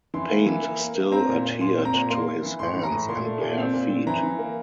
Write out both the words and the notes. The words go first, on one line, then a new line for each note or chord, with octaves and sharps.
Paint still adhered to his hands and bare feet.
E3 C6
A#3
E3
A#3
A#3
A#3
C4 A#5
A#2
A#2
A#2 C6
C4
A#5
A#2
A#3 C6
A#3
E3
A2 C6
E3
A#5
A2
A#2 C6
A3
A#2
C4
A#2
C4
E3 A#5
E3
A#3